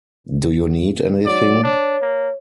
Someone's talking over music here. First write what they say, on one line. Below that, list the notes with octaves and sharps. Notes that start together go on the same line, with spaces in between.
Do you need anything?
F#3 D5
D4 C#5
A#3